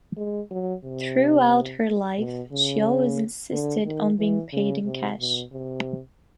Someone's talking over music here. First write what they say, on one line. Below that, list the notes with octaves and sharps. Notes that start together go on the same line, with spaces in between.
Throughout her life she always insisted on being paid in cash.
G#3
F#3
C3
B2
C#3
D3
D#3
E3
C#3
C3
B2
C3